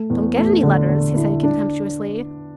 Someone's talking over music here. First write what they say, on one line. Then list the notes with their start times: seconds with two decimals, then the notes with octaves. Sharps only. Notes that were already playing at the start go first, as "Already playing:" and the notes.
"Don't get any letters," he said contemptuously.
Already playing: A3
0.10 E2
0.36 A3
0.63 D3
0.89 D3
1.16 E4
1.43 D4